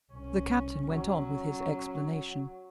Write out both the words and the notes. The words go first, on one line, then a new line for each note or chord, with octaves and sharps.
The Captain went on with his explanation.
C2 C#4
F#3 C#4